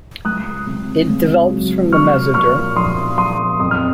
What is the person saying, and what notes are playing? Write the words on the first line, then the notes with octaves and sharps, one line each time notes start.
It develops from the mesoderm.
C#2 D#6 F#6
C3
C#2
F#3
A#1 C#6 F6
A#2 C#6 F6
A#1 C6 D#6
F3 C6 D#6
F2 D#6
F6